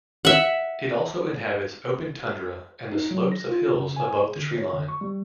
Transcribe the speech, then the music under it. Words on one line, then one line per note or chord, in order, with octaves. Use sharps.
It also inhabits open tundra and the slopes of hills above the tree line.
E5 F#5
D#4
F#3
A#6
F4
C#3
G#5
G#4
D3
C#5
D3
C#6
G3